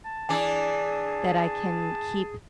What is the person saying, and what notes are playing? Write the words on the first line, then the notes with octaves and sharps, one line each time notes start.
that I can keep
A5
E3 D4 G#4 D5 G#5